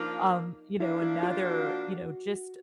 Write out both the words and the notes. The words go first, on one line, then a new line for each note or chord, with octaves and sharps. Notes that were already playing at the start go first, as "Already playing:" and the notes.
um, you know, another, you know, just
Already playing: F3 A#3 D4 D#4 F4
F3 A#3 D4 E4
E4
F4
F#4